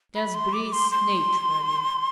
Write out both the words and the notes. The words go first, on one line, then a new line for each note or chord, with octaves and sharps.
"Just breathe naturally."
B5
C6
D6
C6
C6